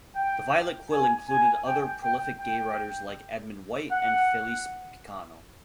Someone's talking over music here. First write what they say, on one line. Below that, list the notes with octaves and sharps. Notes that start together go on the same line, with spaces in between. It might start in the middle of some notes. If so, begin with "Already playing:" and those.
The Violet Quill included other prolific gay writers like Edmund White and Felice Picano.
G5
G#5
G#5
G5
G5
G5
F#5